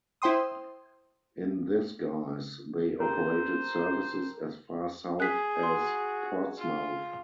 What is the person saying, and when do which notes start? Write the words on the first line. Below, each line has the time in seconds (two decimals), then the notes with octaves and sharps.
In this guise they operated services as far south as Portsmouth.
0.22 E4 C5 G5 C6 D#6
3.00 G4 A4 A#4 C5
5.20 G#4 F#6 B6
5.63 F#4 C6
6.58 F4